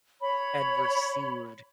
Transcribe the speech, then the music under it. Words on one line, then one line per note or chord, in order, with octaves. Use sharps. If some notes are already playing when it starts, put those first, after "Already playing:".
and received
C#5 B5